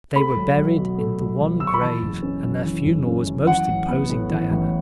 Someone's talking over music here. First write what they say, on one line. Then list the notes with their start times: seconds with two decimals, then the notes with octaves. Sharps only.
They were buried in the one grave and their funeral was most imposing, Diana.
0.15 A3 B5
0.36 B1
0.57 B1
0.78 B2
0.98 A3
1.19 B1
1.40 B1
1.60 B2 E6
1.67 C#6
1.74 B5
1.82 E3 A5
2.02 F#1
2.22 C#4
2.43 F#2
2.64 E3
2.85 F#1
3.06 C#4
3.27 F#2
3.47 E3 F#5
3.68 A1
3.88 B3
4.10 A2
4.30 E3
4.51 A1